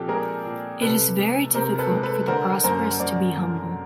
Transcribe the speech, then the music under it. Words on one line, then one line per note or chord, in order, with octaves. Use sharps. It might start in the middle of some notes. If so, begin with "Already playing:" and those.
It is very difficult for the prosperous to be humble.
Already playing: A#2 F3 C4 D4 G4 A4
G#3 G#4 A#4
A#2
C3 A4 B4
G#3
C3 A#4 C5
A4 B4
G#3
A4 B4
D3 A#4 C5
F#2 A#4 C5
F#2 C5 D5
F#2